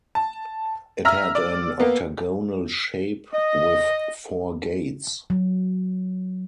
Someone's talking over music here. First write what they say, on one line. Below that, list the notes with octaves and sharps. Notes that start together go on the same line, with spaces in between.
It had an octagonal shape with four gates.
A5
E5 A#5 E6 F6
D5
A#3 B3
D#5
F#3